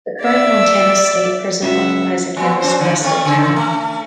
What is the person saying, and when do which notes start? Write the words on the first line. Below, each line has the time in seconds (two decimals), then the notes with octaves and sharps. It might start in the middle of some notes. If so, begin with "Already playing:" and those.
The current Montana State Prison occupies a campus west of town.
0.22 D5 E5
1.62 C#2 F#3 E5 F#5
2.37 F3 B3
2.61 F3 C#4 C5
2.79 D3 D#3
3.01 A3 C4
3.25 C#3
3.56 A3